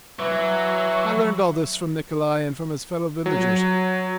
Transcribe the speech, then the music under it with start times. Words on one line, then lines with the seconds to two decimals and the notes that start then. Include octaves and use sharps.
I learnt all this from Nikolay and from his fellow villagers.
0.19 E3 F#3
3.26 F#3